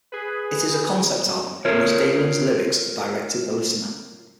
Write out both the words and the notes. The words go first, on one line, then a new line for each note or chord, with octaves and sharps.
It is a concept album in which Damian's lyrics are directed the listener.
G#4 B4
F4 A#4 C#5